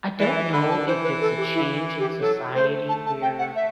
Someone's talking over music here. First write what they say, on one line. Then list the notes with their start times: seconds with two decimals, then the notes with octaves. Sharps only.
I don't know if it's a change in society where,
0.19 E3 D5
0.36 E5
0.53 D3 B5
0.70 A5
0.86 E3 C5
1.03 B4
1.21 A4
1.38 G4
1.54 E4
1.99 G4
2.21 F#3 A4
2.55 A3 C5
2.89 A5
3.06 A5
3.22 G5
3.39 F#5
3.56 E5